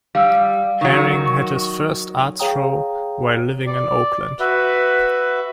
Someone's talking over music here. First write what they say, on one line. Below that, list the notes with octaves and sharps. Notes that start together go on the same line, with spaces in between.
Haring had his first art show while living in Oakland.
G3 F5 E6
D#3 F#3
C#6
G#4 C#5 F5 G5 A#5 D#6
D5
F#4 B4 E5